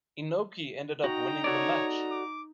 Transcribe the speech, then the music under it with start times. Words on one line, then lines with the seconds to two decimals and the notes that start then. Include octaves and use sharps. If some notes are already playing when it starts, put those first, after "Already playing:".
Inoki ended up winning the match.
1.04 D#4 F#4 G5 A#5
1.44 F#4 A4 C#5 D5
2.11 D6